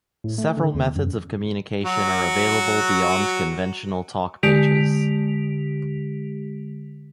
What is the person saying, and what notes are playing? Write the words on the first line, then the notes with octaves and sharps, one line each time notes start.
Several methods of communication are available beyond conventional talk pages.
A2
A3
D3
E2
F#2
F#3 F#4
D3 G#3 G4 B6 D7 F7